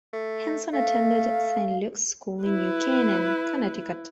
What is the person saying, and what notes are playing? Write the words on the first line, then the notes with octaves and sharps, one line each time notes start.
Henson attended Saint Luke's School in New Canaan, Connecticut.
A3
A3 F5
E4 B4